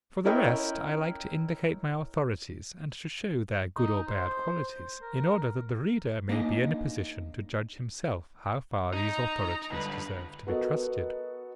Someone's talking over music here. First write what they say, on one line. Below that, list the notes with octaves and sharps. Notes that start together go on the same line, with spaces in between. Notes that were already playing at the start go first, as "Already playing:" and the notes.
For the rest, I like to indicate my authorities and to show their good or bad qualities, in order that the reader may be in a position to judge himself how far these authorities deserve to be trusted.
C#4 E4 A#4 C#5 D#5 G5
D#4
C5
A#4
A#3 D4 D#4 D#5
D#4 A#5
G2 D3 B4
B3 F#4 A4 A#4 D#5